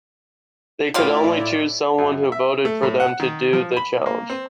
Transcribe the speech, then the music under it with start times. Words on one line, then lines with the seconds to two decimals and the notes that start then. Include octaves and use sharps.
They could only chose someone who voted for them to do the challenge.
0.94 A2 F#3 C4 E4 F4 D5
1.98 F#2
2.32 E5
2.65 A3
2.83 A2
3.00 F#5
3.20 D#3
3.53 F3
3.77 B5
4.06 A#3
4.30 C4